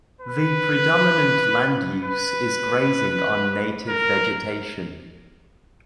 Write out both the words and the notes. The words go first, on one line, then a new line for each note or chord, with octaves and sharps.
The predominant land use is grazing on native vegetation.
B4
B4
A#4